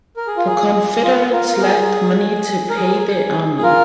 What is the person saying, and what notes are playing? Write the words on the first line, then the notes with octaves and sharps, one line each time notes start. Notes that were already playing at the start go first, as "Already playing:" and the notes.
The Confederates lacked money to pay their army.
A#4
G#4
F4
G#4
F4
F4 A#4
A#4
G#4
A#4
G#4
G#4
F4 A#4